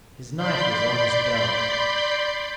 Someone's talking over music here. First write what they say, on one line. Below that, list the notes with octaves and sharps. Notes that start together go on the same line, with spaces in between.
His knife was on his belt.
D5 B5 C6 G6